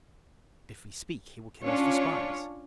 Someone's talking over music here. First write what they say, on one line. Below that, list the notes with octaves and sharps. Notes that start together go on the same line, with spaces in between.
But if we speak, he will kill us for spies.
C#4 D4 F4 C#5